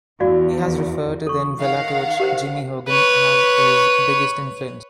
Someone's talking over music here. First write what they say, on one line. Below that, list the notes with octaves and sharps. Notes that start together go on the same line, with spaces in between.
He has referred to then Villa coach Jimmy Hogan as his biggest influence.
E2 F#4 D5 F5
A4 C#6
D#3 F5 F#5
G4 A#4 C5
B4 C#5